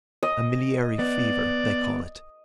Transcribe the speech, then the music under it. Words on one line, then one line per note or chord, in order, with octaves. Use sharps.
A miliary fever, they call it.
D#5
B3 D5